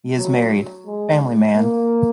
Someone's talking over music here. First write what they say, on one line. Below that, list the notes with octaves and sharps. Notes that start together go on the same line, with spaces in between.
He is a married, family man.
F#3
G#3
A#3